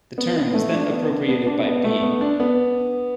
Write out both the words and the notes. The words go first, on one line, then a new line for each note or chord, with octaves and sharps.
The term was then appropriated by B.
B3
B3
A3
D4
B3
D4
B3
D4
B3
A3
B3
D4
B3